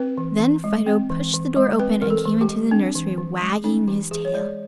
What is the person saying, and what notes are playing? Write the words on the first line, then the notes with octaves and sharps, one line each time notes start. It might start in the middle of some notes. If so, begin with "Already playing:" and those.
Then Fido pushed the door open and came into the nursery wagging his tail.
Already playing: C4 B4
E3
E3
G#3
C4
E3
E3
G#3
C4 B4
E3 A#4
A4
E3
G4
G#3
C4 D4
E3
E3
G#3
C#4 D#4
E3 G4
E3 G#4
C#5
G#3 D5